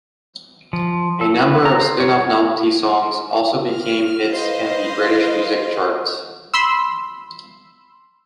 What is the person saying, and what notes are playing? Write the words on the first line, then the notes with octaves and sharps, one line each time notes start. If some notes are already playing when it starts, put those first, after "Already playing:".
A number of spin-off novelty songs also became hits in the British music charts.
F3
A4
B4
A#5
C5
C#5
C#5
F6
B4 C5 D#5 F5
B5 C6 E6